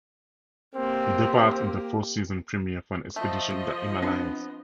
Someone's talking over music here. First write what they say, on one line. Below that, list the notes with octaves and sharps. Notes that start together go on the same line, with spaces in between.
He departs in the fourth-season premiere for an expedition in the Himalayas.
A#3 C4 G4
F3 A3 D#5
B3 C4 D4